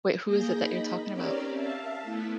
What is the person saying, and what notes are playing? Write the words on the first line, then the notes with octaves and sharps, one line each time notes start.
Wait, who is it that you're talking about?
A#3 G#4 G6 A#6
D#4 B5
C4 C#4 G4 A#4 C#5 D5
E5 F5 A5
A3 B3 E4